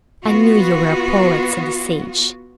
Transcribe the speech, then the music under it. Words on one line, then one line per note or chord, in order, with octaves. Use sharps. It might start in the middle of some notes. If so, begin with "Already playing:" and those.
"I knew you were a poet," said the sage.
B3 F4 F#4